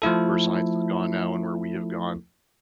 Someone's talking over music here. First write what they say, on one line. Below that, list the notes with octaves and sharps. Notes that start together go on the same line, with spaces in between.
where science has gone now and where we have gone,
F3 A3 E4 A4